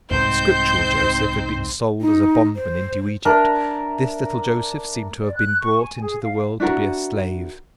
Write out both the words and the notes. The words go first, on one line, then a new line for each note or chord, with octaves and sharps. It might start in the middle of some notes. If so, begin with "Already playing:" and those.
The scriptural Joseph had been sold as a bondman into Egypt; this little Joseph seemed to have been brought into the world to be a slave.
C2 G#2 G3 C4 D#4 C5 G6
D#4
C5
D4 A#4 E5
D5
F#6
C#6
G#5
G#4
F5
D4 E4 F#4 A#4